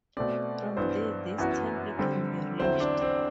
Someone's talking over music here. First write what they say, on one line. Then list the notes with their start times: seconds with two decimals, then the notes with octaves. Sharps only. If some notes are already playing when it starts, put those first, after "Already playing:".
From there this temple can be reached.
0.17 B2 A3 C4 D5
0.77 G2 E3 B3 C5
1.38 F#2 E3 B3 F#4
1.99 D3 G3 C4
2.60 E2 D3 F#3 C4 E4 C5
2.80 D4
3.01 C4